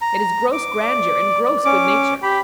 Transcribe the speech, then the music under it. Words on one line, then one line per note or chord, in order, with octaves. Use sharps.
It is gross grandeur and gross good-nature.
A#5
D6
D5
C#4 D6
G4 B5